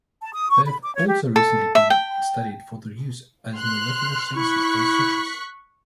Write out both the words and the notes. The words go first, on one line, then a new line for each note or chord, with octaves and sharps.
They have also recently been studied for their use as molecular sensors and switches.
A5
D#6
C#6
B5
D6
C#5
G4
A4
E5
G5
C6 F6 F#6
E4 C#6 F#6 B6